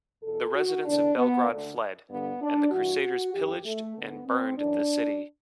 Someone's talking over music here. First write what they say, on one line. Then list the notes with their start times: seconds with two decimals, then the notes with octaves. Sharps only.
The residents of Belgrade fled, and the crusaders pillaged and burned the city.
0.22 E2 B2 A4
0.54 F#4
0.85 E2 D3 D4
1.15 B3
1.46 D2 D3
2.09 G2 D3 B3
2.40 D4
2.70 G2 E3 F#4
3.33 F#2 E3 G4
3.65 A3
3.96 D2 D3 B3
4.26 C4
4.57 F#2 E3 D4